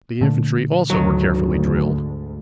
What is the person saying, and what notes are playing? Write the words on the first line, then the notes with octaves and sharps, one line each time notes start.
The infantry also were carefully drilled.
A#2 D3 A3
D2 G#2 D#3 F#3